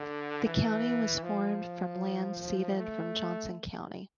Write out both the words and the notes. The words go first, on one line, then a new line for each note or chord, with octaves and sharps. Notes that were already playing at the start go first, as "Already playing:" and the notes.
The county was formed from land ceded from Johnson County.
Already playing: D3
E3
F3
A3